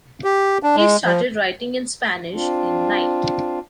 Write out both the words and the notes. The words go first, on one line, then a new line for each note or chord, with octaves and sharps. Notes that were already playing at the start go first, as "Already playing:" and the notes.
He started writing in Spanish in "Night".
G4
D4
G#3
F3
C4 D4 F4